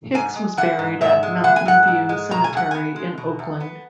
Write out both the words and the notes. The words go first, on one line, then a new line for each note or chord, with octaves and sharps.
Hicks was buried at Mountain View Cemetery in Oakland.
G#2 G#5
G#3
E3 F#5
G#2
G#2 E5
G#3
E3 F#5
G#5
G#2 F#5
G#2
G#3
B2 A#5
G#5
E2 F#5
B3 G#5
G#3
B2
E2
B3